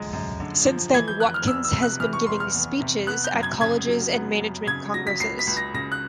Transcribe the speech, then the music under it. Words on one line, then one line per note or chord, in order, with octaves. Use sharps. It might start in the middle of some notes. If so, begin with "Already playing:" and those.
Since then, Watkins has been giving speeches at colleges and management congresses.
Already playing: F#2 D3 F3 G#3
F#2
D3
F3
E3 G#6
G6
F1 F#6
F6
E2 E6
E6
C3
F#6
E3 F6
C#6
F1 C6
F6
E2
C3
B3 F#6
G6
F#2
G#6
C#3 G#6
F#3
B3
F#2
C#3 G#6
F#3 A#6
B6
C#2 C7
B6
C#2
A#6
C#3 A#6
F#6